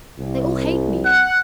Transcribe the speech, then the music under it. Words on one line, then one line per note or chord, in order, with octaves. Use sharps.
They all hate me.
C2
F#5